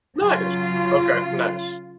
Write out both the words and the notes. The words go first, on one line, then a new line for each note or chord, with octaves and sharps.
Nice. Okay, nice.
C#3 F#3 F4